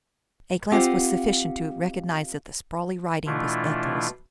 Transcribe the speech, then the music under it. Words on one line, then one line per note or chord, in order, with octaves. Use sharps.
A glance was sufficient to recognise that the sprawly writing was Ethel's.
C4 F4 G4 D#5 F5 F#5
B2 E3 A3 D4 E4 F4